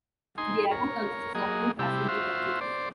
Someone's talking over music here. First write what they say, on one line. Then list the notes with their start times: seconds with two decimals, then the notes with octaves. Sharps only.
The airport consists of two passenger terminals.
0.38 D#4 G#5 C6
0.71 A#4 C#5
1.35 F#3 A#3 G#4 D#5
1.79 C3 G3 E4 G4
2.08 F4 F#4 C5 E5
2.61 C5 D5